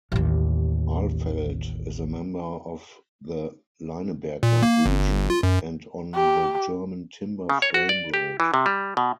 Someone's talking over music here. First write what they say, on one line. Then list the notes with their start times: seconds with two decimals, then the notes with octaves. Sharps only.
Alfeld is a member of the Leinebergland region and on the German Timber-Frame Road.
0.12 A1 D#2
4.43 A#2
4.62 A#3
4.86 G1
4.99 G1
5.30 F4
5.43 F#2
6.14 G4
7.49 C#3
7.62 C#5
7.74 F#4
7.89 D5
8.14 G4
8.40 E3
8.54 C3
8.66 G3
8.97 B2